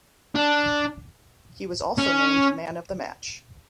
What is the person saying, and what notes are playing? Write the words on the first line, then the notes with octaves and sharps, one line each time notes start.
He was also named man of the match.
D4
C#4